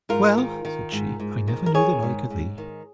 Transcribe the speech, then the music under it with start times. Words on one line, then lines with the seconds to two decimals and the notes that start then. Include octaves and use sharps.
Well, said she, I never knew the like of thee.
0.09 G#2 F4 A#4
0.37 D#3
0.65 D#3
0.92 G#2
1.20 G#2
1.48 D#3
1.66 A#4
1.74 D#3 G#4 C#5
2.03 G#2
2.30 G#2
2.58 D#3